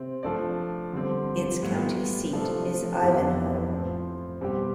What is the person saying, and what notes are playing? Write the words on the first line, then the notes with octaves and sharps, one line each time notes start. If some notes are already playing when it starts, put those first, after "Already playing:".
Its county seat is Ivanhoe.
Already playing: C3 C4
F3 A3 D4 A4 D5
D3 G3 C4
A2 G3 B3 F4
C3 F3 A3 D4 A4
F2 E3 B3 E4 G4
A2 F3 C4
B2 G3 C4 G4